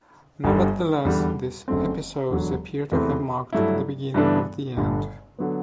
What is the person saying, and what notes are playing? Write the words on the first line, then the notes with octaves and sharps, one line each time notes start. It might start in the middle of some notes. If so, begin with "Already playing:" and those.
Nevertheless, these episodes appear to have marked the beginning of the end.
G1 G2 D3 G3
E2 D3 G3
F#1 F#2 D3 A3 C4
E1 E2 D3 F#3
E2 C3 E3 A3 C4
G2 F#3 A3 E4
G2 E3 B3 D4 A4
G1 G2 D3 A3
D3 F#3 B3